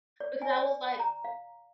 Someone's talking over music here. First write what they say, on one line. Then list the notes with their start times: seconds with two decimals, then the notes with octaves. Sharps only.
because I was like
0.20 D5
0.42 G#5
0.58 D5
1.00 A#5
1.24 F5